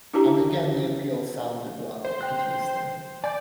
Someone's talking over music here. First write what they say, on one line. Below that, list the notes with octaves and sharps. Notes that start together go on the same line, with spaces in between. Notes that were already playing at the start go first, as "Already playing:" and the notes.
And again the appeal sounded rather piteously.
D4 E4 F#4 G4 A5 A#5
C5
G5 F#6
D5 G#5 G6